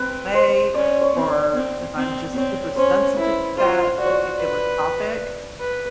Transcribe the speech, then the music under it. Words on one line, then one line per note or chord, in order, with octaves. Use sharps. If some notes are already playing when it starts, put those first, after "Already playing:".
away, or if I'm just super sensitive to that particular topic,
Already playing: C4 B4
C5
C#4 D5
C#5
C4
D5
C4
C4
C4 C#5
C#4 C5
E4 B4
F4 C5
F#4 D5
C#5
D5
B4
B4